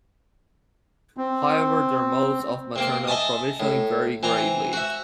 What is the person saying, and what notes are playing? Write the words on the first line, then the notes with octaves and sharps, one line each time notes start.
However, their modes of maternal provisioning vary greatly.
C4
C3 A#3 C4
D#5 E5 G#5 A5 D#6
A2
E3 C4 A#5
F#4 E5